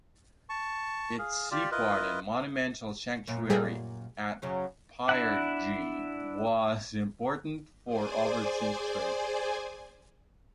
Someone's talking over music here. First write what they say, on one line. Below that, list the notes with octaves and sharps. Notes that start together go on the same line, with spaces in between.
Its sea port and monumental sanctuary at Pyrgi was important for overseas trade.
A5 C#6
G#4 F5
F4 G4 D5
E4 F4 A#4 B4 D#5
F#2 A#2
G3 A3 G#4
F#2 C#3 F#3
D4 E4 F#5
G#4 C5 D5 G#5